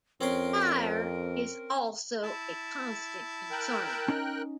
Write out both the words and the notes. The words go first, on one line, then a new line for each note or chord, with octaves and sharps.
Fire is also a constant concern.
F2 C4 C#4 A#4 C6
E4 A5
A#4 G5 F#6
C#4 D#4 A#5